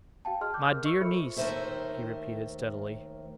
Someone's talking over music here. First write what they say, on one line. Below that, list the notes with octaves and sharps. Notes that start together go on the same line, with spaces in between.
My dear niece,' he repeated steadily.
F#4 F5 G5 A5
G#4 D#5 C6 F6
D6 F#6 G6
G#4 A#4 F6
D#5 C#6 E6 C#7
F4 A4 C5 E5 B5 C#6
D#2 D#3 F#3 A3 C5 E5